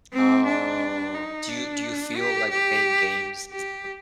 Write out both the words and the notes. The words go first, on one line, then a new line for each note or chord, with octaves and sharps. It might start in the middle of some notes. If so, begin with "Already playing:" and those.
Oh. Do you do you feel like playing games is
C4
D4
D#4
D4
G4
G4
G4